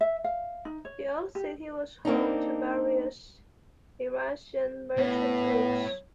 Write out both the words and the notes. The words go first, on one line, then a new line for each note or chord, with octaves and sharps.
The old city was home to various Eurasian merchant groups.
E5
F5
D#4
C#5
G4
A#3 C4 D4 D#4
A2 B3